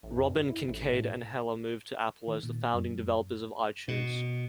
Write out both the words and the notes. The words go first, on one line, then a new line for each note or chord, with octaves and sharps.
Robbin, Kincaid, and Heller moved to Apple as the founding developers of iTunes.
A1
F2
G2
E4
A1
A2
D#3
A#2
F#2
B2